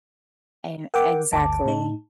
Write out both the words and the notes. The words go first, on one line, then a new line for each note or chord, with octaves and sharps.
And exactly.
A#4 F#5 G5 D6
G1 D2 A5 D6
A2 D#4